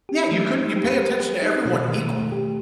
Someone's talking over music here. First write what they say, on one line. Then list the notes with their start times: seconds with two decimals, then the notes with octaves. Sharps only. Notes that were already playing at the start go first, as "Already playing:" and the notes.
Yeah, you couldn't you pay attention to everyone equally.
0.09 G4
0.31 A3
0.53 D#4
0.76 G4
0.98 G4
1.20 G4
1.42 D#4
1.65 B2
1.88 D#3
2.10 A3
2.32 G4